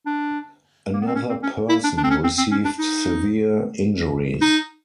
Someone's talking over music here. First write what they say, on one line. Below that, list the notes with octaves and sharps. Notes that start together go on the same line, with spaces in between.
Another person received severe injuries.
D4
A#3
B3
C4
C#4
C4
C#4
E4
D4
D4
C4
C#4
C4
C4
C#4
D4
D#4
D#4